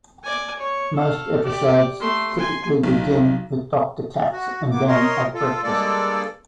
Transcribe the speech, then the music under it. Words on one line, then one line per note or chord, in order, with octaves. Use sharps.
Most episodes typically begin with Doctor Katz and Ben at breakfast.
D5 G#5
C#5
A4 F5
G4 D5
A3 C6
G#5 C6
B1
F#4
A#3 B3 D6
A#4 C#5 D#5 C6
F4 A4
G2 G#3 A#3 A4 D5